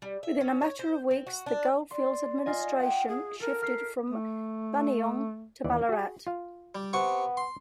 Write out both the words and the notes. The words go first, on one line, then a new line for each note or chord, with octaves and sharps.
Within a matter of weeks the goldfields administration shifted from Buninyong to Ballarat.
G3
E5
C#4
C#5
C5
C4
F#4
D4
D5 C6
F4 D#5 G#5
F#5 G5
G#4
A4 A#4
F6 B6 C7
A3
D#2 E3 D5
F#4 G#4
F4 F5
G3
C3 B3 F#5 C#6
C6